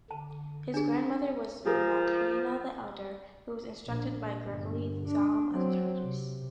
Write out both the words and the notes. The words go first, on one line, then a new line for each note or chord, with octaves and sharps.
His grandmother was Macrina the Elder, who was instructed by Gregory Thaumaturgus.
D3 A5
D4 G#4
F3 G#4 A#4
A#1
G1
D4
F#3 C4
C3